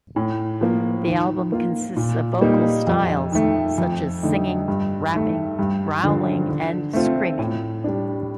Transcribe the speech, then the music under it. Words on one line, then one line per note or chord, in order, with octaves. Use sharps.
The album consists of vocal styles such as singing, rapping, growling and screaming.
A2
F3 A#3
D#3
A#3 F4
A#2
G3 A#3 D#4
F2
D#3 A3
F2
D3 A3 D#4
G2
D#3 A3
G2
D3 F3
D3
A3 C4 F4
A2
G3 D4